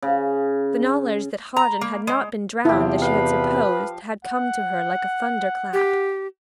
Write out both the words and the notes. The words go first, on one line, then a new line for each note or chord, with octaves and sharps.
The knowledge that Hawdon had not been drowned as she had supposed, had come to her like a thunderclap.
C#3
A#5
A#3
G#3
E2 C3 F3 E4 G4
B4 F5
F#5
G4